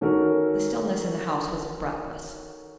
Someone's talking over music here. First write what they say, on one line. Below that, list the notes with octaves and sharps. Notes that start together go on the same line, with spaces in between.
The stillness in the house was breathless.
D#3 C#4 F#4 A4 A#4